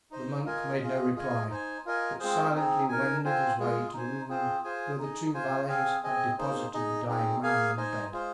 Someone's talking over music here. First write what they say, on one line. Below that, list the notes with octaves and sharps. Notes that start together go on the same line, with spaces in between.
The monk made no reply, but silently wended his way to the room where the two valets had deposited the dying man on a bed.
D#4 C5 D#5
F4 A#4 D#5 G#5
F4 G#4 D#5
F4 G#4 D#5 G#5
D#4 C5 G#5
F4 A#4 D#5 G#5
G#3 C4 F4 G#4 C5
C4 D#4 G#4
D#4 A#4 G#5
C4 F4 C5 G#5
G#3 F4 G#4
D#4 C5 G#5
C4 F4 G#4 C5
F4 G#4 C5 G#5
D#4 G#4 D#5
F4 C5 G#5
C4 G#4 F5 G#5
C4 G#4 D#5 G#5
A#3 D#4 G#4 C5
D#4 G#4 D#5
C4 D#4 G#4
A#3 G#4 F5 G#5
D#4 C5 D#5 G#5
G#3 F4 G#4 C5